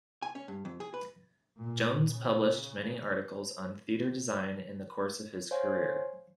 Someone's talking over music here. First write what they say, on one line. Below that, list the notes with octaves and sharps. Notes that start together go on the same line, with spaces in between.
Jones published many articles on theatre design in the course of his career.
G#5
C#4
G2
F2
G#4
B4
A#2
C#3
C5 C#5 F5 G#5